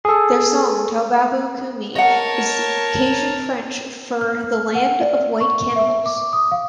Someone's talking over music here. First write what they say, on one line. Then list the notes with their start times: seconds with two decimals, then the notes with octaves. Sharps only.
Their song "Toubabo Koomi" is Cajun-French for the "Land of White Cannibals".
0.05 G#4 A4
1.96 A#4 C#5 D#5 F#5 A5
4.21 F6
4.75 F#5
5.01 D5
5.40 C#6
5.76 E5
6.06 D6
6.33 D#6
6.52 F5